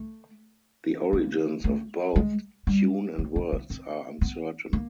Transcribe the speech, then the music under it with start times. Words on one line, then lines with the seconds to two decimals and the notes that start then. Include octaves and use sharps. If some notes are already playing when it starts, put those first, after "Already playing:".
The origins of both tune and words are uncertain.
Already playing: A3
1.13 A#3
1.64 A3
2.16 G#3
2.67 G3
3.19 C4
3.36 B3
3.53 B3
3.70 C4
4.21 B3
4.73 A#3